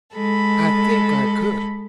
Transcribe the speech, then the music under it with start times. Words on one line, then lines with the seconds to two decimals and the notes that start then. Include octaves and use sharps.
I think I could.
0.14 G#3 A4 B5